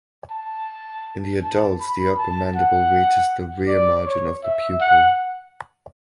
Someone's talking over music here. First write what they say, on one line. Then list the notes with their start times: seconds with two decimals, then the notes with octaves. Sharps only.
In the adults the upper mandible reaches the rear margin of the pupil.
0.30 A5
1.43 A5
1.80 B5
2.18 A5
2.55 F#5
3.67 D5
4.05 C#5
4.43 E5
4.80 F#5